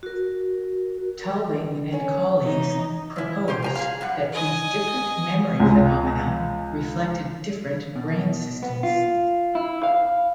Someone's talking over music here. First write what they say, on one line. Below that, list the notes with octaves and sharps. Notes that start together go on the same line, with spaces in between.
Tulving and colleagues proposed that these different memory phenomena reflected different brain systems.
F#4 A#4
C#4
E3 D#4
C#3 E4
C#4 G4 C5
F2 G#5 A#5
G#4 F5
F#2 G3 F#5
D#5 G#5
C#2 G#3
B2
B3
F4
E4
F5